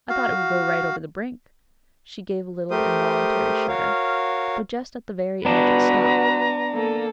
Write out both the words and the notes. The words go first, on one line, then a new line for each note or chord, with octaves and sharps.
I thought it would go right over the brink"--she gave a little involuntary shudder--"but just at the very edge it stopped.
F#4 F5
A3 G4 A#4 C5 D#6
F#4 A#4 C#5 F5
B3 D4 F#4 B4 A#5
A#3 A4